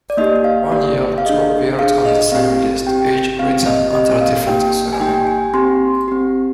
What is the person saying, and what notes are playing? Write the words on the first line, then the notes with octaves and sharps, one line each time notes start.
One year, two appeared on the same list, each written under a different pseudonym.
D5
A#3 D#4 G4 D#5
F5
A#3 D#4 G4 D5
F5
D4 G#4 D#5
D4 G#4 F5
D#5
C4 G4 F5
C4 G4 G5
C4 G4 F5
D#5
C4 G4 D#5
F5
A#3 D#4 G4 G5
G#5
A#3 D#4 G4 G5
G#5
C4 G4 C6
C4 G4